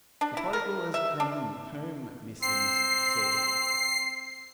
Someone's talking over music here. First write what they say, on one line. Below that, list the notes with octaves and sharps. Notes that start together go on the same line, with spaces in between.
"The prodigal has come home, Miss Innes," he said.
D4
E4
A#4
E5
D4
C4 C7